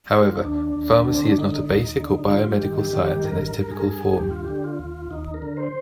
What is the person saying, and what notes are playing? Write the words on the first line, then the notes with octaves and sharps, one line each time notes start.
However, pharmacy is not a basic or biomedical science in its typical form.
G#4
G4
F4
D#4
D#2 D4
D#2
D3
C4
D4
D3 D#4
D#2
D3
G2 F4
G4
D#3
G4
D#3
G4
G2 A#4
G2
G#4
A#4
G2 G#4
D#2 G4
F4
D3 G4
F4
D#2
D#2 D#4
A#4
D3
C5